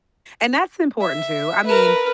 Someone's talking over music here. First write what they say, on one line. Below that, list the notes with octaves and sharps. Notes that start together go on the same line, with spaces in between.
And that's important too, I mean,
E5
A#4 B4